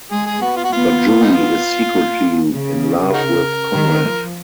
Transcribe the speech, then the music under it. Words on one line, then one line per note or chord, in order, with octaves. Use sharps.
But Julie is secretly in love with Conrad.
G#3 G#4
G#4
B3 F#4
F4
F#4
B3 F4
D#4
F4
A#3
C#3
D#4 F#4 A#4
D#3
F3